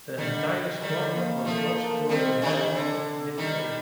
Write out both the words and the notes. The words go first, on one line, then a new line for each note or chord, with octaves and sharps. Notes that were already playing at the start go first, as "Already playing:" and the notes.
The entire squadron was lost during the Battle of Midway.
D3 D#3 G3
D3 D#3 G3
A#3
F3 A3
A#3
D#3 G3 C4
C3 D#3 D4
D3
D#3 G3 D#4